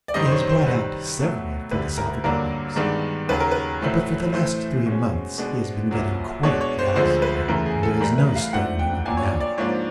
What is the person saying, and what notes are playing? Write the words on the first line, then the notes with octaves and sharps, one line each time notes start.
He has brought out several philosophical works, but for the last three months he has been getting quite drowsy, and there is no stirring him up now.
D5
F#2 D#3 G3 C4 D#5
C5
C#5
C5
C3 D#3 G3 C4 B4
B2 F#3 A3
D2 D3 G3 B4
A#4
G2 D3 F#3 A#3 D4 A#4
G2 D#3 G#3 B3 D4
D#2 C#3 F#3 B4
A#4
B4
A2 F#3 A3 C4
A2 E3 A3 C5
B2 G#3 C#4
B2 G#3 B3 D4
C2 A#2 F#3
B2 G#3 B3 D4 C#5
C#5
C5
D2 D3 F3 G#3 C4 C5
B4
E2 C#3 E3 A3 A#4
G#4
A4
A2 E3 G3 A#4
B4
F5
G#2 F3 A3 D4 F#5
G5
A#2 F#3 A#3 D4 G#5
C#5
D5
D5
G#2 F3 A#3 D4 C#5